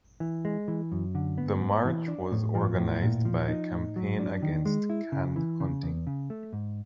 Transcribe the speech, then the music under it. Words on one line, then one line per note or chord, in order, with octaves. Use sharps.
The march was organized by Campaign Against Canned Hunting.
E3
G#3
E3
F#2
D3
B3
G#2
E3
D4
A2
F3
A2
A#2
F3
D#4
A2
F#3
D4
D#3
G#3
E4
C#3
E3
C#3
E2
C#3
A3
G#2